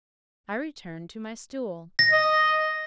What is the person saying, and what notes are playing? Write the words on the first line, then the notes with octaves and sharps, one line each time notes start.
I returned to my stool.
A#6
D#5